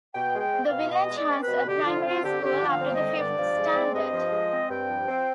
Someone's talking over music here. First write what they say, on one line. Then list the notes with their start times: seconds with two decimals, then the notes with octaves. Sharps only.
The village has a primary school up to the fifth standard.
0.15 B2 G5
0.34 G#3
0.40 G5
0.53 C4
0.66 F5
0.72 B2
0.90 B2 D#5
1.10 G#3
1.16 D5
1.29 C4
1.41 B4
1.48 B2
1.67 D3 G4
1.85 F3 F4
2.05 C4 F4
2.23 D3 G4
2.42 D3 G4
2.61 F3
2.67 F5
2.81 C4
2.93 D#5
2.99 D3
3.18 G2 D5
3.37 F3
3.57 G#3
3.75 C4
3.94 G2 D#5
4.14 F3
4.32 G#3
4.51 C4
4.70 G2 G5
4.89 F3
5.08 C4